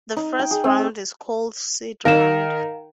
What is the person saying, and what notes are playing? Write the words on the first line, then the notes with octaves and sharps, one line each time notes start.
The first round is called seed round.
D#4
G5
G#4
C4
D#3 A#4 F5 A#5 E7